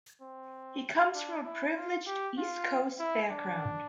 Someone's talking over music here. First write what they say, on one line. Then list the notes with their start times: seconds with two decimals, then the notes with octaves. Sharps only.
He comes from a privileged East Coast background.
0.21 C4
1.14 D4
1.44 E4
1.76 F4
2.07 G4
2.38 F4
2.99 E4
3.30 D4